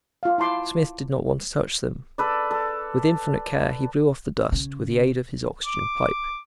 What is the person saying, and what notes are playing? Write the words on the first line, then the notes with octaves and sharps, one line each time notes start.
Smith did not want to touch them; with infinite care he blew off the dust with the aid of his oxygen pipe.
F4 F5
E4 A5 C6 D6
A4 B4 D5
A4
C#3
D6